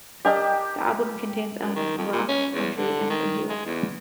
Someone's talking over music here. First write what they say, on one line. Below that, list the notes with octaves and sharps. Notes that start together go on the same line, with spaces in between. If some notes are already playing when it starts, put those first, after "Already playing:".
The album contains elements of rock, country and indie rock.
D4 G4 A#4 D#5
F#2
D#3
F2
A#2
C#4
E2
D3
D#3
G#3
E2